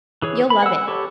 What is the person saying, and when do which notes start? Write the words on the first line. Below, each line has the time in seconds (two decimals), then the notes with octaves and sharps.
You'll love it.
0.22 E3 G#4 C#5
0.50 B5
0.63 F#5 E6
0.87 G4 A4 C#5